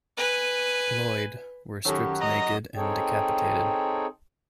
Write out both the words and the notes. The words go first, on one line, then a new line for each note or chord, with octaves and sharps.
Lloyd, were stripped naked and decapitated.
B4 G#5
F#2 D#3 F#3 C#4 G4 A4
D#5 A#5
C4 D#4 G#4 A4 C#5 G5